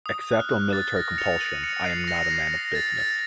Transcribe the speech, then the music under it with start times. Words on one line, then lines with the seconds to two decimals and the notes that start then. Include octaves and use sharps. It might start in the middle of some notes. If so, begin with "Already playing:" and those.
Except on military compulsion, I am not a man of business.
0.06 D#6
0.32 F#6
0.40 F6
0.73 A6
0.96 A#6
1.18 C#7 F7
1.41 D#7 F#7
1.63 C#7 F7
1.85 C7 D#7
2.08 A#6 C#7
2.30 C7
2.53 A#6
2.75 A6
2.98 A6